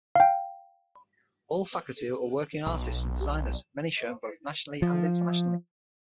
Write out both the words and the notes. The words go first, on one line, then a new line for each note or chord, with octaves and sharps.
All faculty are working artists and designers, many showing both nationally and internationally.
F5 G5
B1
F3